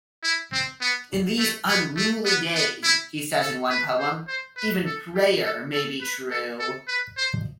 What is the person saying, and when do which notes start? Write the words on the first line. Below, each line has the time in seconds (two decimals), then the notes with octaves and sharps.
'In these unruly days,' he says in one poem, 'even prayer may be true.
0.24 E4
0.52 C4
0.81 B3
1.39 A3
1.68 B3
1.96 A3
2.25 B3
2.55 B3
2.83 E4
3.41 A4
3.70 B4
3.99 C5
4.28 C5
4.57 B4
4.85 A4
5.15 G4
5.43 A4
5.72 A4
6.01 B4
6.30 A4
6.59 A4
6.88 B4
7.17 C5